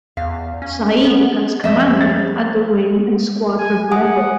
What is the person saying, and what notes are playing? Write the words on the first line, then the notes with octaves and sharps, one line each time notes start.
Said has commanded at the wing and squadron level.
E2 F5
C#4
B3
F2 F3 D#5 E5
A6
G#5
F#5 G#5 D#6